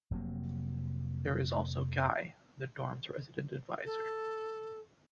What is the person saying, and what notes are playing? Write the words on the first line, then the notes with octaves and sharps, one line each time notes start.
There is also Guy, the dorm's resident adviser.
F1 C3 F#3 A#3
A4